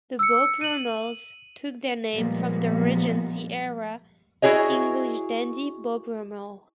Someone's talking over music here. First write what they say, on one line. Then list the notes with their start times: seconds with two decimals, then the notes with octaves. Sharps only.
The Beau Brummels took their name from the Regency era English dandy Beau Brummel.
0.19 E6 C#7
0.61 D#7 F#7
2.14 A#2 F3 G3 G#3 A#3 B3
4.42 E4 F#4 G#4 C#5 D#5